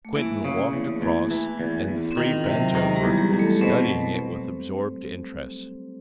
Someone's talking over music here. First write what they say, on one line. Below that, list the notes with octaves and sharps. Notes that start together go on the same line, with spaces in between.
Quinton walked across and the three bent over, studying it with absorbed interest.
A3
E3 A#3
C#3
E2
A3
E2 A#3
E3
E2
E2 B3
C4
D#3
F4
C3
F#3 F#4
D#3 G#3 G#4
G3 G4
E2
G3 G4
E2
A3 A4
B2 C4 C5